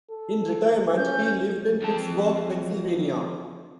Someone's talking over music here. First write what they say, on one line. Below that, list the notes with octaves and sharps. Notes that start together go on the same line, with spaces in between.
In retirement, he lived in Pittsburgh, Pennsylvania.
A4
C#4 G6
F2 A5